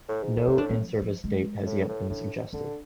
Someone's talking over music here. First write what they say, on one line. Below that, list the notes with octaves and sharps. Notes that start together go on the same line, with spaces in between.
No in-service date has yet been suggested.
A2
G#2
A2 E4
E4
D4
C4
F3
F3
G#3
A2
A2
A2 D4
D3 D4